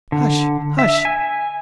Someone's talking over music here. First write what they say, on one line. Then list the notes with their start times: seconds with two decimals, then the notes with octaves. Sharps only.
'Hush! hush!
0.12 D3
0.79 E5
1.05 G#5